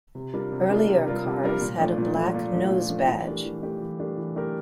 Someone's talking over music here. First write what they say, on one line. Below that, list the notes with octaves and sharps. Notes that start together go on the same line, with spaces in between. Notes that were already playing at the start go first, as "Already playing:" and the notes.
Earlier cars had a black nose badge.
C3
G3 D4 F4 A#4
C3
G3 D4 F4 A#4
C3
G3 D4 F4 A#4
C3
G3 D4 F4 A#4
A#2
F3 A3 D4
A#2
F3 A3 D4
A#2
F3 A3 D4
A#2
F3 A3 D4
E3
A3 D4 G4 A#4
E3
A3 D4 G4 A#4
E3
A3 D4 G4 A#4
E3
A3 D4 G4 A#4